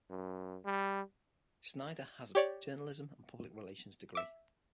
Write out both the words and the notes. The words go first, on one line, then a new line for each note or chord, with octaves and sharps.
Snyder has a journalism and public relations degree.
F#2
G3
G4 C#5 D5
E5 D6